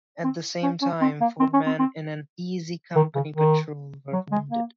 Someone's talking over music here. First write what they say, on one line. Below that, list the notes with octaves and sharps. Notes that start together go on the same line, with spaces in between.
At the same time, four men in an Easy Company patrol were wounded.
C4
C#4
C#4
C4
A#3
C4
C#4
C4
C4
D#3
C#3
D#3
F#3
G#3
A#3